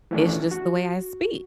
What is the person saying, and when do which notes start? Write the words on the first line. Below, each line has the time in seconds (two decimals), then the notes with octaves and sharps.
"It's just the way I speak,"
0.11 E3 F3 A3 C#4 D4
0.51 F#4